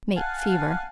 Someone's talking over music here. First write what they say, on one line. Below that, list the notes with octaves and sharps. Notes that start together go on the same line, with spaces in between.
Mate fever.
F5 F#5 G#5 A5